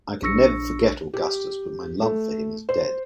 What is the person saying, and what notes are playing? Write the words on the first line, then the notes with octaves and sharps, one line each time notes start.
I can never forget Augustus, but my love for him is dead.
A#1 D4 C#6 E6 A#6 C#7
G4
A3
C5